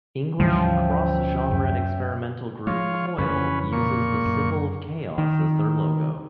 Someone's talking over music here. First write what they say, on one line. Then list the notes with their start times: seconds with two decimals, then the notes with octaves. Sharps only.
English cross-genre, experimental group Coil uses the Symbol of Chaos as their logo.
0.40 D2 G#2 E3 F3 G3 C#4 E5 G5
1.51 F#2
2.67 F3 G#3 F4 C#5
3.18 F2 C#3 E3 C#4 B4
3.72 A#2 C#6
4.26 F#2
5.18 D#3